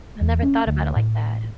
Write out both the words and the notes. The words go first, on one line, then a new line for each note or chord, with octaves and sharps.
I never thought about it like that.
E2
C#4
D2
A2